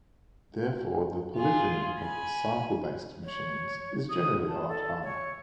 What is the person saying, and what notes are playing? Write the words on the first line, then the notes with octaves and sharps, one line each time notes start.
Therefore the polyphony of sample-based machines is generally a lot higher.
F4 G#4
G#5 B5
C#5
D#6
A5
A4
C#5